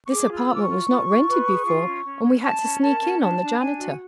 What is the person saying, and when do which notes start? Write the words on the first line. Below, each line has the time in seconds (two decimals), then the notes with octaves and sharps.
This apartment was not rented before and we had to sneak in on the janitor.
0.07 C#6
0.11 G#4 D6
0.31 F4
0.37 E6
0.50 F4
0.55 D6
0.62 C#6
0.69 F4
0.88 F4
1.08 F4
1.28 B4
1.47 G#4
1.66 F4
1.86 C#4
2.05 C#4
2.24 C#4
2.44 C#4 A5
2.62 C#4
2.82 A#4 A5
3.02 C#4
3.21 D4 A5
3.40 D4
3.59 D4 G#5
3.79 F#4